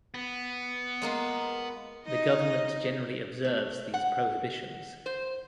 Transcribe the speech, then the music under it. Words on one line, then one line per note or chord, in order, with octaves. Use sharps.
The government generally observes these prohibitions.
B3
G#3 A#3 F4
D#4 D#5
A3
F#5
C5